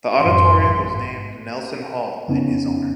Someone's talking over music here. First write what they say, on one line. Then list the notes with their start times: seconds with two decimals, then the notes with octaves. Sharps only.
The auditorium was named "Nelson Hall" in his honor.
0.20 A1 F#2 D#3 C6
0.62 G#2
2.28 F2 C#3 B3 C#4 D#4